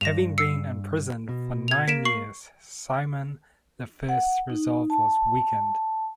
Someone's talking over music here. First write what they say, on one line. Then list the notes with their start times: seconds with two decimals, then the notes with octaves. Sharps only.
Having been imprisoned for nine years, Simon the First's resolve was weakened.
0.01 G2 A#6 E7 F7
0.38 E6 C7 C#7
1.29 B2
1.68 G#6 F7
1.88 A#3 B6 D7 E7
2.05 C#6 C7 F#7
4.09 F#5
4.50 D#4
4.90 A5